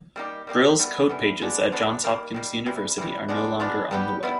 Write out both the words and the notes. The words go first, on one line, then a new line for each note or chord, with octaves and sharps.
Brill's code pages at Johns Hopkins University are no longer on the web.
G3 A#3 D#4 G4
G3 A#3 D#4 G4
E3 G3 B3
E3 G3 B3
F3 G#3 B3 D4
F3 G#3 B3 D4
D#3 G3 A#3
D#3 G3 A#3
C3 E3 G3
C3 E3 G3
F3 G#3 B3 D4
F3 G#3 B3 D4
G3 B3 E4 G4
G3 B3 E4